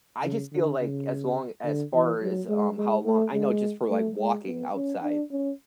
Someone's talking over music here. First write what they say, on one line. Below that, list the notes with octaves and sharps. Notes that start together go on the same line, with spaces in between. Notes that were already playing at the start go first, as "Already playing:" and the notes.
I just feel like as long as far as, um, how long I know just for, like, walking outside,
C#3
D3
C#3
D3
E3
F#3
G#3
G#3
A3
G#3
A3
G#3
B3
C#4
D4
C#4